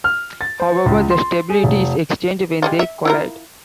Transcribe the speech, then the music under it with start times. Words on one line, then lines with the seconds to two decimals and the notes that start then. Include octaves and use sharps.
However, their stability is exchanged when they collide.
0.04 F6
0.41 A6
0.60 C5
0.86 C#2
1.10 C6
1.50 G#4
1.64 F1
2.62 G3 G#3 F4
2.79 E5
3.05 E4 F4 A#4